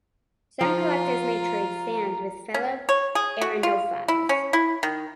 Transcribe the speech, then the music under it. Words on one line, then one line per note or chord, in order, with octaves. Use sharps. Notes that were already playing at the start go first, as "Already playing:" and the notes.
Some collectors may trade sands with fellow arenophiles.
F3 F4 A#5
C#4
C#5
G#4
F#4
F4
E4
C#4
E4
D#3